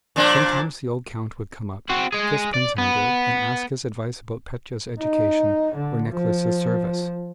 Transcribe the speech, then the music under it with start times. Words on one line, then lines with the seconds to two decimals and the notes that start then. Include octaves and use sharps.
Sometimes the old count would come up, kiss Prince Andrew, and ask his advice about Petya's education or Nicholas' service.
0.16 A#2 F3 D4
1.90 C4 F#4
2.13 G#3 G#4
2.54 D5
2.78 B3
5.01 D#4
5.75 D3
6.10 F3